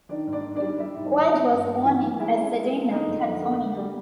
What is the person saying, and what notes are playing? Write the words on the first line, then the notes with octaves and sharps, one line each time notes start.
White was born in Pasadena, California.
D#3 D4 D5
G#2
D4 D5
D#3
D4 D5
G3
G3 E4 E5
G#2
D#3
C4
G2
G2
E3
E3
G#3 E4 E5
C#4
G#3
G#3
D3 D#4 D#5
F2
D3
A#3
D3
G3